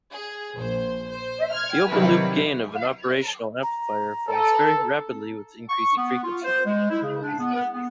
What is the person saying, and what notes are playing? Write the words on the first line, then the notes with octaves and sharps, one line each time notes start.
The open-loop gain of an operational amplifier falls very rapidly with increasing frequency.
G#4
A#1 C5
C5
F6 G#6
C3 D#3 F#3 G3 E4 B4
A#5
A4
C#6
B3
F4
C5
G#3
E4
C#3
D4
B3
B3
B3